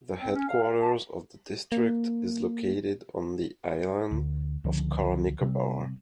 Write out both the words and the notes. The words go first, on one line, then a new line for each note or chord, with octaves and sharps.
The headquarters of the district is located on the island of Car Nicobar.
C4
C#4
F5
F5
A5
A#3
D2
C#2 D3 F3
C3 G3 C4